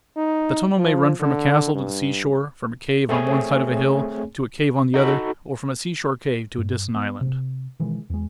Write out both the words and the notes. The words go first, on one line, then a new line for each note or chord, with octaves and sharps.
The tunnel may run from a castle to the seashore, from a cave on one side of a hill to a cave on the other, or from a seashore cave to a distant island.
D#4
F3
D3
G2
A3 C4 G#4 C#5 G#5
D#4 F#4 A4 B5
G2
B3
C3
B2 D#3 E3 G#3
E2 G#3